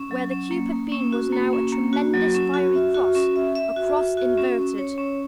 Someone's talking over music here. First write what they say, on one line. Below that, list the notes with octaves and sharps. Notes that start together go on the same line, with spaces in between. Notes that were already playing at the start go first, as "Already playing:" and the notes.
Where the cube had been was now a tremendous, fiery cross--a cross inverted.
Already playing: C#4
F#3
C#4
A#3
A#3
C#4
F#4
A#3
C#4
A#3
F#4
F#3
C#4
F#4
E5
F#4
C#4
E5
E5
F#4
E5
F#4
C#4
C#4
C#5
C#4